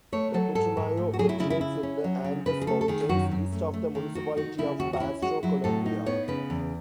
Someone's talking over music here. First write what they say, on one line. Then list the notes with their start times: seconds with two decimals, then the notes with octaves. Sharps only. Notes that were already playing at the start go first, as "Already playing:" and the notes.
The Putumayo originates in the Andes Mountains east of the municipality of Pasto, Colombia.
0.12 A3 C#5
0.34 F#3 A4
0.55 G#2 A4
0.77 G#2
0.97 A3
1.13 F#4
1.19 F#3 G#4
1.29 E4
1.40 C#3 E4
1.50 E4
1.61 E4
1.83 C#4
2.04 F#3
2.24 C#3
2.46 C#3 B4
2.62 G#4
2.67 A3 A4
2.81 A4
2.88 D#3 G#4
3.09 F#2 F#4
3.31 F#2
3.52 A3
3.74 A3
3.95 D#3
4.15 D#3 F#4
4.37 D#4 F#4
4.58 C#3 E4
4.80 D#2 F#4
4.93 F#4
5.00 C#4 E4
5.22 G#3 F#4
5.43 F#3 E4
5.64 A2 A4
5.86 D#4
6.06 B3 C#5
6.28 C#3 B4
6.50 E2